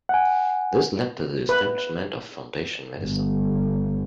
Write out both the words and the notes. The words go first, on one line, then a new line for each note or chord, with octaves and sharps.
This led to the establishment of Foundation Medicine.
F#5 G#5
B4
G1